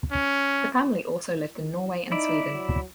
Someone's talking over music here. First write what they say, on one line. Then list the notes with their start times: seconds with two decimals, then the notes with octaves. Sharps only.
The family also lived in Norway and Sweden.
0.11 C#4
2.12 D#4 E4 D5
2.53 F#3